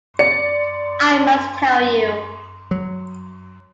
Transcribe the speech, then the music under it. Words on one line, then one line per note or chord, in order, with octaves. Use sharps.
I must tell you.
D5 C#7
F#3